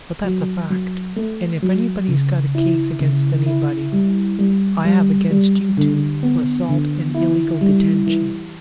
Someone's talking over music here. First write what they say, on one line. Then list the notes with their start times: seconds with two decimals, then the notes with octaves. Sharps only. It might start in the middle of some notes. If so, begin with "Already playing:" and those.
But that's a fact--and if anybody's got a case against anybody, I have against you two for assault and illegal detention.
0.25 F#3
0.70 F#3
1.16 A3
1.63 F#3
2.08 C#3
2.55 E4
3.00 C#3
3.46 E4
3.93 G3
4.39 G3
4.85 G3
5.31 G3
5.77 D3
6.23 B3
6.69 D3
7.15 E4
7.61 G3
8.07 E3